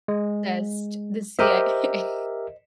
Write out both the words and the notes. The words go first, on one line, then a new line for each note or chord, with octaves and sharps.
sessed The CIA A
G#3
G4 A#4 C5 D#5 E5